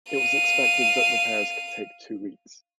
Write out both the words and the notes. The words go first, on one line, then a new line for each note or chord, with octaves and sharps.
It was expected that repairs could take two weeks.
F5 D#7